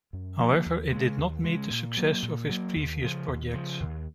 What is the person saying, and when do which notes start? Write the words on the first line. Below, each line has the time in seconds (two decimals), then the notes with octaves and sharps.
However, it did not meet the success of his previous projects.
0.13 F#2
0.39 F3 A#3
0.66 D#2
0.92 C#3 G#3
1.18 D#2
1.44 C#3 G#3
1.71 A#2
1.97 F#3 A#3
2.23 A#2
2.49 F#3 A#3
2.76 D#2
3.02 C#3 F3
3.28 D#2
3.54 C#3 F3
3.80 D#2